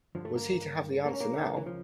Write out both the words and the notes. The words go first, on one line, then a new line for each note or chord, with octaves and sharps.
Was he to have the answer now?
G2 D3 F3
A3
A#3
A#3
C#4
A#3
C#2 C#3 E3
E3
F3